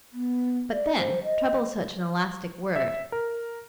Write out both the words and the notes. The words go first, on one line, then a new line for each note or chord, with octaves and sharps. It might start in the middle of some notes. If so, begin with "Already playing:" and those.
But, then, trouble is such an elastic word.
B3
D5
C5
D#5
E5
A#4